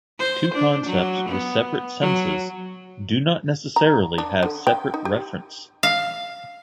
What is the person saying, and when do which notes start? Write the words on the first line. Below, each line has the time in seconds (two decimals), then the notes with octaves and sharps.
Two concepts with separate senses do not necessarily have separate referents.
0.19 C5
0.55 D4
0.87 F#3
1.29 B3
2.01 F#3
3.76 A#5
4.18 D4
4.43 D3
4.67 G5
4.94 D#4
5.05 G4
5.83 F5